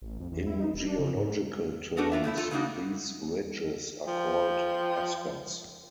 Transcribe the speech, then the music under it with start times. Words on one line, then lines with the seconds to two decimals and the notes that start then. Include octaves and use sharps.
In geological terms, these ridges are called eskers.
0.02 A1
0.20 F2
0.32 E2
0.47 E4
0.60 D#4
0.74 E1
0.86 D4
0.99 C#3
1.15 G#2
1.97 A3 D4 F#4 A4 A#4
2.12 D4 F4 E5
2.24 F#2 A3 E4 E5
2.37 A3 F4 A4
2.51 C#3 A#3 D4 D#4 F#4
4.07 F3 G5